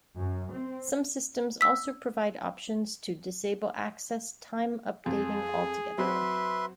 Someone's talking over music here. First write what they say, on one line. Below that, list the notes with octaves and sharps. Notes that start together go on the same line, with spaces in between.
Some systems also provide options to disable access time updating altogether.
F#2
C4
E6 B6
F2 G#4
F#3 C4 F#4 B4 E5 C6